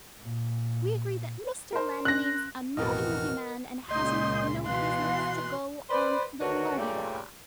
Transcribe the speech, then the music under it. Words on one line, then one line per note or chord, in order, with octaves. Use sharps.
We agreed that Mr. Lanoline's a notty, notty man, and hasn't no business to go on the lardy-da.
A#2
A#4 C5
C#4 F#6 A#6
A1 F2 B2 E3 F#4 A#4 D#5 F6
C#2 A#2 C#3 D#5 C6 D#6 G6
B2 E3 F5 C6 F#6
B4 C5 D5
D2 D3 D#3 F#4 B4 C#5
G2 A#2 C#3 G3 A3 D4